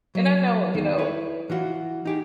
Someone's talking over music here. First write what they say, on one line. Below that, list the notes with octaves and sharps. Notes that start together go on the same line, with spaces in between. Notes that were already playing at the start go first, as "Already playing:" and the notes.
And I know, you know
F#3
E2 D#3
E4 B4 C#5
E3 F4 F#4
D#4 G4 G#4